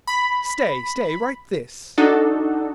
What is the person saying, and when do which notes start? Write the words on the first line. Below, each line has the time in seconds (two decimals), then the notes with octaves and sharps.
Stay, stay, write this.
0.07 B5
1.98 D4 D#4 F#4 A4